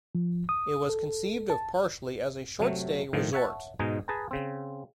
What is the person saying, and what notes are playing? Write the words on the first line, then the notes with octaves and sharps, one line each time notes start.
It was conceived of partially as a short-stay resort.
F3
D#6
A4
A5
C3 F#3 A3
A2 D#3 F3
C#5 E5 F#5 A5
G#2 B2 G#3 D#4 G#5 A#5
G#4 B4 A5 A#5
C#3 C4